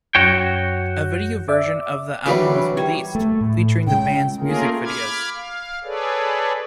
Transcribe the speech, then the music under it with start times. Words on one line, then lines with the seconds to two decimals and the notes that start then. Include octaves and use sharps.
A video version of the album was released, featuring the band's music videos.
0.15 F#2 F#3 F#4 C#5 G5 G6
1.48 D5 E5 D6
2.26 D3 E3 F#3 G3 B4 D5
2.77 G3 C#5
3.15 A3
3.41 A2
3.87 C#3 G#3 G5
4.39 A3 A#3 C#4 F4 G#4 A#4
4.84 B5 D6 F6 G#6
5.35 F5
5.84 G#4 A4 B4 C#5 D5